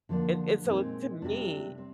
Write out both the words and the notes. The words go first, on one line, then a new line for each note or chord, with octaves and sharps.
and and, so, to me
D3 F3 A#3 D4
A#2 G#3 C4 D#4
C3 G3 D4
C4